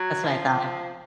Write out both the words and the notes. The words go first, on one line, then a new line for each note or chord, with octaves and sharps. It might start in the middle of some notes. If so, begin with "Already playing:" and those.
That's what I thought.
Already playing: F#3
F3